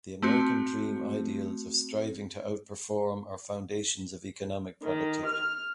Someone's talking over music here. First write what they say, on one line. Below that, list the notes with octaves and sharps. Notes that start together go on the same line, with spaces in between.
The American Dream ideals of striving to outperform are foundations of economic productivity.
A3 C4 F#4
D#3
F6